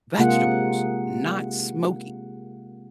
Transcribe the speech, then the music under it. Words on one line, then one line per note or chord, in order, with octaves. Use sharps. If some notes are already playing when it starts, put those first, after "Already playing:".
vegetables, not smoky.
C3 G#3 A#3 F4 G#4 F#5